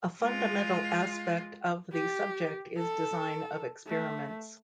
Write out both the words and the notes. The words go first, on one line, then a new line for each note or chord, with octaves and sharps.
A fundamental aspect of the subject is design of experiments.
G#3 F4
G4
A4
A3